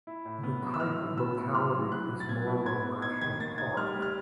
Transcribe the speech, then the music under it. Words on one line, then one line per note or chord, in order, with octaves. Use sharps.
The type locality is Morwell National Park.
E4
A2
B3
F#3
E6
A2 F6
A2
B3 E6
A2
F#3 F6
F#3
E4 F#6
F#3
A6
B3 G#6
E4
B3 G#6
B3
D#4 G#6
D#3 G#6
A#3 A6
D#4 G#6
G3 F6
G3
F6